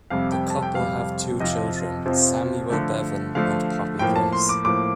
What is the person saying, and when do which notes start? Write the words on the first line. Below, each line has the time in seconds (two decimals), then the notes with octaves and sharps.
The couple have two children, Samuel Bevan and Poppy Grace.
0.10 F2 C3 G3 F5
0.32 G5
0.50 A5
0.63 G5
0.75 F2 C3 G3 F5
1.40 F2 C3 F3 C4 F4 D#5
2.06 F2 C3 F3 C4 F4
2.70 D3 F3 A3
3.35 D3 F3 A3 F5
3.99 A2 F3 A#3 G5
4.16 A5
4.33 C6
4.49 D6
4.65 A2 F3 A#3 D6